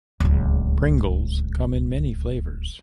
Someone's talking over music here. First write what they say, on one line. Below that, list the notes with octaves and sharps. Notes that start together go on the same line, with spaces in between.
Pringles come in many flavors.
D1 C#2